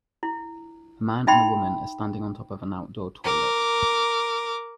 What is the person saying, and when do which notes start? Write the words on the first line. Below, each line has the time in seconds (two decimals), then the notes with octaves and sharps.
A man and a woman are standing on top of an outdoor toilet.
0.23 E4
1.27 D#4 E5 G5 B5 C6
3.24 A#4 D6